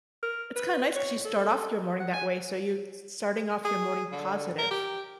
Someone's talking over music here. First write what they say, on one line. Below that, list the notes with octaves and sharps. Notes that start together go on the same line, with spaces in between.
It's kinda nice 'cause you start off your morning that way, so you're s starting off your morning positive.
A#4
B4
C#5
A4
F#5
G#5
G#4
D3
A#4
G4